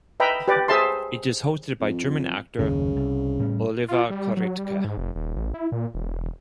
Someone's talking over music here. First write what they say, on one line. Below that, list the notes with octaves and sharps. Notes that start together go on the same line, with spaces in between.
It is hosted by German actor Oliver Korittke.
B4 D#5 E5 G5 A#5 B5
G4 B4 D5
G#4 C5 E5 A5 C6
F2
F#1 D#2 A#2 C#3
C2
A2 G3 C#4
F4
G3
F#3
G3
G#2
F1
D#1
A1
E4
A#2
E1